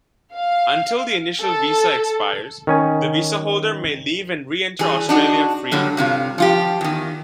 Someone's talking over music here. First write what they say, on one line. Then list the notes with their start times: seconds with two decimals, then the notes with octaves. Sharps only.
Until the initial visa expires, the visa holder may leave and re-enter Australia freely.
0.36 F5
1.42 A4
2.67 D#3 C#4 G#5
4.79 E3 G3 G#4
5.09 D4 D#4 F#4
5.72 A#2 D3 F#3 G3
5.97 G2 C3 F4
6.38 F3 F4 G4
6.81 E2 D#3